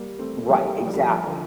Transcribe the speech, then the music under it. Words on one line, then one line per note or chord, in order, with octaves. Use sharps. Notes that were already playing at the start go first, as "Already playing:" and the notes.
Right, exactly.
Already playing: G3 A#3
A3 C4
G3 A#3
A3
G3
F3 A3
D3 F3